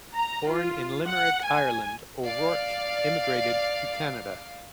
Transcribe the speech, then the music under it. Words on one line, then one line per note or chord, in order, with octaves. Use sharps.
Born in Limerick, Ireland, O'Rourke immigrated to Canada.
A#5
F4
F#5
G#5
D5 F5